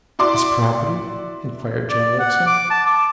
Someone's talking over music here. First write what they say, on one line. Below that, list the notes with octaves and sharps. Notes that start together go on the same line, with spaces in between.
'As property?' inquired John Rokesmith.
E4 F#4 D5 C6 D6
D5
F#5
D6
A5
D6